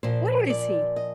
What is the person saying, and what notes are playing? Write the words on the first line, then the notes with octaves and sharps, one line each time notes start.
Where is he?
A#2 F3 C5
D5
D#5